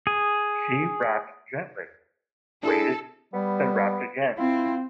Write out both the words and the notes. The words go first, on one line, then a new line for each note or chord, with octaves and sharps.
She rapped gently, waited, then rapped again.
G#4
D4 E4 G#4 A4
G3 B3
C4 E4 F4